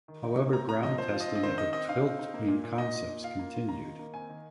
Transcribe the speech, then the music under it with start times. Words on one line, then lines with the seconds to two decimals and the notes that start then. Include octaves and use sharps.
However ground testing of the tiltwing concepts continued.
0.08 D#3
0.24 D#4
0.38 A#3
0.53 C4 A#5
0.68 C4 A#5
0.83 F3 D#5
0.98 F3 C5
1.13 F4
1.20 D#5
1.28 C4
1.35 D#5
1.43 D#3 C5
1.58 D#4 D#5
1.73 C4 D#5
1.89 D#4 F5
2.04 C4
2.19 D#4
2.34 A#3
2.48 A#2
2.64 A#2
2.78 D#4 D#5
2.93 A#2
3.09 D#4
3.24 F4 F5
3.39 A#3
3.54 F4
3.69 D#3 A#5
3.84 D#3
3.99 A#3
4.14 C4 G#5
4.29 D#3